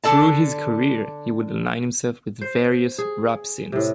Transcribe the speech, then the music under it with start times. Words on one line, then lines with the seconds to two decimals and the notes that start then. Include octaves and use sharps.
Through his career he would align himself with various rap scenes.
0.04 D3 D4 A4 D5 A5
2.41 C5
2.98 G#4
3.72 A2 C3